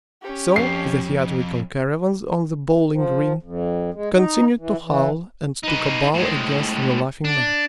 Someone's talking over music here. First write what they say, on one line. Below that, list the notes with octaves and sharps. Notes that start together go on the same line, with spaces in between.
So the theatrical caravans on the bowling-green continued to howl and to cabal against the Laughing Man.
C#4 G4
F2 C7
F3
F2
G#3
D#4
E3
E3
D#4 B4
A2 G#3
D4